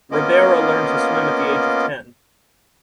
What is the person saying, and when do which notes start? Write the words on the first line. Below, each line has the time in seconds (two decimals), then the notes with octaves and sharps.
Ribeiro learned to swim at the age of ten.
0.12 A#3 B3 C#4 F4 D#5 D6